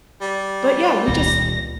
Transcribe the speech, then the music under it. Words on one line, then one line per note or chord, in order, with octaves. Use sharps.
but, yeah, we just
G3
D#1 C#2 A#6